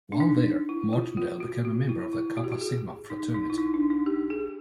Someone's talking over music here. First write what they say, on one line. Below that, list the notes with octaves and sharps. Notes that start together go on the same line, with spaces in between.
While there, Martindale became a member of the Kappa Sigma Fraternity.
D4
D#4
E4
F4
F4
F#4
F#4
E4
E4
F#4
G4
F#4
G#4
D#4
D#4
E4
D#4
D4
D#4
G4
G#4